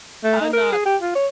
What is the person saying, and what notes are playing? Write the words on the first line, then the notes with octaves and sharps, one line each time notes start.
I'm not
A3
D#4
A#4
G#4
G4
F4
C#5